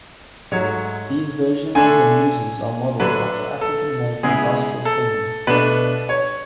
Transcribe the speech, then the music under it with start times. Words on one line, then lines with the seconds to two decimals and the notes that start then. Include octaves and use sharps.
These versions of the Muses are modeled after African American Gospel singers.
0.52 G#2 F#3 A3 C#5
1.75 D3 A3 D4 G#5
2.99 D3 F#3 A3 D4 B4
3.61 A4
4.23 C#3 G#3 B3 E4 G#4
4.85 A4
5.47 B2 A3 D4 B4
6.09 C#5